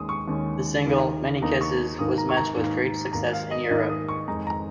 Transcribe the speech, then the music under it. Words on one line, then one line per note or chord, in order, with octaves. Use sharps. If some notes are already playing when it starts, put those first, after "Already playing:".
The single "Many Kisses" was met with great success in Europe.
Already playing: D#2 D#3 G#3 C#4 D#6
C#6
D#2 D#3 G#3 C#4
D#2 D#3 A#3 D#4
D#2 D#3 A#3 D#4 A#5
C#6
G#2 D#3 A#3 D#6
A#5
C#6
A#5
G#2 D#3 A#3
G#2 D#3 A#3 A#5
F5
D#5
G#2 D#3 A#3 D#5
D#6
C#6
F2 D#3 G#3 D#4 A#5
A#5